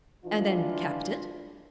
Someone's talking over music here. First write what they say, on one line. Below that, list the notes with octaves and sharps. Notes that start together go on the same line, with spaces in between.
"And then kept it?"
E3 D4 F4